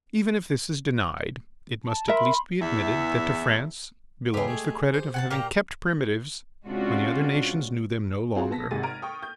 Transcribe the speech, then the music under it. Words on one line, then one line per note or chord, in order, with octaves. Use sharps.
Even if this is denied it must at least be admitted that to France belongs the credit of having kept primitives when the other nations knew them no longer.
A5
A#4 E5 B5 C6
E2 E5
E2 G2 C#3 G4 G#4
G#3 A3
C5
F#5 G#5 A5
A#2 A#3 G4 A#5
C3 G#3 C#4 D4 F4 F#4
C4 F4 F#4 G#4
B3 A5 A#6 B6
G#1 C3 G#4 A6 D#7
A#5 F6 G#6 D7 D#7
G5 C#6 D#6
G6